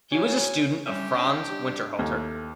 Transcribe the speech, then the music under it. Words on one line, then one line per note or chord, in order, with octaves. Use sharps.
He was a student of Franz Winterhalter.
F#3 G#4 C#5 G#5
G3 C#4 G4 C#5 E5
D4 D#5 G5
G3
D#2 A3